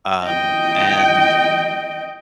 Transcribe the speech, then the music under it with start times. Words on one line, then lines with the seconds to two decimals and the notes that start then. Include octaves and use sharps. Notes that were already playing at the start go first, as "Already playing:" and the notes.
um, and
0.24 D#5 G5